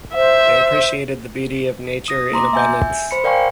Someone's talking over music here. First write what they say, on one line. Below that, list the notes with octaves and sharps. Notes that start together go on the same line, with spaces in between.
They appreciated the beauty of nature in abundance.
C5 E5
D#6 A#6
A#3 A#5 C6 D6
E5 G#5 G6
C5 B5 C#7
A#4 D5 F5 G5 G#5 C#6